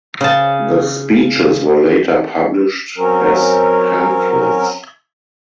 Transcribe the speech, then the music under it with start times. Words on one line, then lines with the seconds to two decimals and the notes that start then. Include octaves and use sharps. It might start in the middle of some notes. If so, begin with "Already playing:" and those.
The speeches were later published as pamphlets.
0.21 C#3 A5
2.98 F#3 C4 C#4 A#4